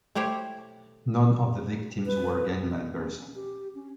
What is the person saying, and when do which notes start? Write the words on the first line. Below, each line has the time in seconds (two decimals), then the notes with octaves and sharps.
None of the victims were gang members.
0.15 A3 E4 G4 C5 C#5
2.06 B4
2.71 D#5
2.93 C#4
3.35 G4
3.75 C#4